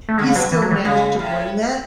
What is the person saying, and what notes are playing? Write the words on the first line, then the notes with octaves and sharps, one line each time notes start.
he still managed to bring that,
A3
D3 G#3
C#3
B2 F#3
E3
F#3
E3
C#3 G#3
A2